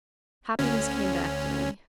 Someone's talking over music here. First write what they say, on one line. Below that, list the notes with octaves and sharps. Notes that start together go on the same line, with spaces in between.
Happiness came back to me.
D2 C#4